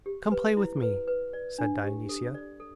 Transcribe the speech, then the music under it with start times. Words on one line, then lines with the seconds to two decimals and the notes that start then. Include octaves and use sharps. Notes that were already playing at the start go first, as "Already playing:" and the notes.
"Come play with me," said Dionysia.
0.06 G4
0.32 B4
0.57 E4
0.82 B4
1.08 B4
1.33 D5
1.58 D4
1.83 G4
2.09 A4
2.34 D5
2.60 A4